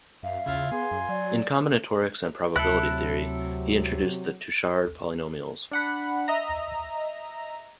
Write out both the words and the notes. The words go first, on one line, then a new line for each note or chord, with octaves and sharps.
In combinatorics and probability theory, he introduced the Touchard polynomials.
F#2 E5 F5
C#3 E4 F4
B3 G#4 G#5 C6
F#2
F#3 D5
D2 C3 F#3 E4 A4 F#6
D4 F#5 B5
D#5 E5 A#5